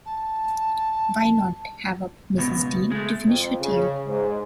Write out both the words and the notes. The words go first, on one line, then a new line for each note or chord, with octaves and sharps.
Why not have up Mrs. Dean to finish her tale?
A5
C#2 B2 B3
G#3 A3
F2
C#3
G#2